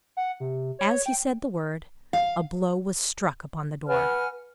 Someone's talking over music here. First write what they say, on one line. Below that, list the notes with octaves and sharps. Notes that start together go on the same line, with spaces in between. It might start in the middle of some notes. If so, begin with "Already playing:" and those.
As he said the word, a blow was struck upon the door.
F#5
C3
C#5
G5
F5
B4 F#5 G#5 F6